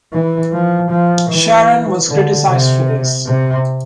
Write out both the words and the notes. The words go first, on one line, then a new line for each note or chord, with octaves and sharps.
Sharon was criticized for this.
E3
F3
F3
E3
D3
C3
C3